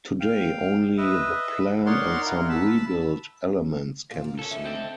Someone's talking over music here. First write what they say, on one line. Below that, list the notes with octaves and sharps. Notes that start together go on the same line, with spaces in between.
Today only the plan and some rebuilt elements can be seen.
F5 G5
B4 D#5 E5
D#4 A#4 C#5 D5 F#5 C6
E4 F4 A#4 F#5
A5 B5 E6
A#2 A#3
A#4
C#4 A4
D3 D#3 E5
C4 A4